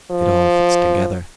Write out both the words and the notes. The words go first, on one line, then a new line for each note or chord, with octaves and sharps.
It all fits together.
F3